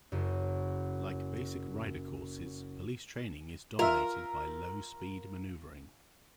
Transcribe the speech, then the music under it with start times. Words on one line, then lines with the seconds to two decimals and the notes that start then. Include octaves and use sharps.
Like basic rider courses, police training is dominated by low-speed maneuvering.
0.12 F#1 F#2
3.79 F4 A#4 E5